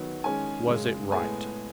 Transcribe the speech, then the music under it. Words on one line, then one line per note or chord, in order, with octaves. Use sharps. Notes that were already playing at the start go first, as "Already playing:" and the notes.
Was it right?
Already playing: D#3 F#3 B3
D#3 G#3 C#4 G#5
F#2 C#3 G#3
A2 G#3 B3 G#5